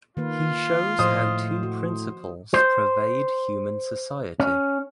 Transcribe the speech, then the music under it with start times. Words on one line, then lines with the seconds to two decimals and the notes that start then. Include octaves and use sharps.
He shows how two principles pervade human society.
0.17 D#3 A#3 F4 B4
0.99 A2 F3 C5 D#5 D#6
1.63 F#4
2.54 C5
4.40 C#4